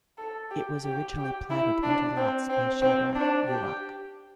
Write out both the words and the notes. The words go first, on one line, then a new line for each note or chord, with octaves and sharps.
It was originally platted into lots by Shadrach Ruark.
A4
G4
G4
G4
E4
D4
C4
C4
C4
D4
G4